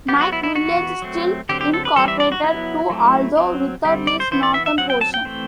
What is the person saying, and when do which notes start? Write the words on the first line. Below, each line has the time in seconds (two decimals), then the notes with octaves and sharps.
Nyack village still incorporated, too, although without this northern portion.
0.08 B3 G4
0.13 F#3
0.21 F#4
0.33 E4
0.43 E4
0.55 E3 B3 F#4
1.02 F#3 A3 C4
1.49 D3 F#3 C4 G4
1.61 G4
1.74 A4
1.85 B4
1.96 E3 G3 C4 A4
2.08 E5
2.20 D5
2.32 F#4
2.43 F#3 B3 E4
2.90 F#3 A3 C4
3.37 F#3 C4
3.85 D3 G3 C4 G4
4.07 D5
4.20 C5
4.31 E3 B3 C5
4.43 D5
4.54 E5
4.66 E5
4.78 F#3 C4 F#5
4.90 G5
5.01 A5
5.14 G5
5.25 E3 A3 C4